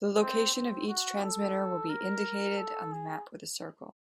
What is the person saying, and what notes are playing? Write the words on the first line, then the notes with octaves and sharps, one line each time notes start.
The location of each transmitter will be indicated on the map with a circle.
C4
C4
F#4
A4
A#4
A4
G#4